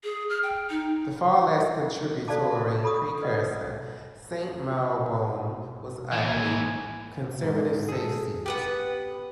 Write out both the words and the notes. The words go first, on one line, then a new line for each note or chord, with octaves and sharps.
The far less contributory precursor, Saint Marylebone, was a Conservative safe seat.
G#4
F6
G5
D#4
A4 C5 D5 F5 A5 D6
A4 B5 C#6 D#6
A4 B4 D5 D#5 F#5
D#2 E3 G#5
G#2
G#4 A4
B3 G4 B4 F#5